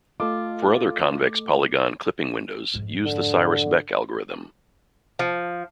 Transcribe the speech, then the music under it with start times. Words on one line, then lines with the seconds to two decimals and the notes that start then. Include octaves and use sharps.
For other convex polygon clipping windows, use the Cyrus-Beck algorithm.
0.20 A3 F4 A4 D#5 D6
2.74 F2 G#2
3.05 D3
5.19 F3